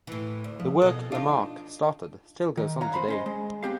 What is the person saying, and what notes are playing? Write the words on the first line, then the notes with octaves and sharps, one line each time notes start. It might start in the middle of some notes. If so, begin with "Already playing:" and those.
The work Lamarck started still goes on today.
A2 E3
D2
F3
B2 A4 D#5
D4 D#4 F4
D#3
C#5 F5 F#5 A#5
C5 B5
C#4 C5 D#5
G#3
B3 C4 G4 F5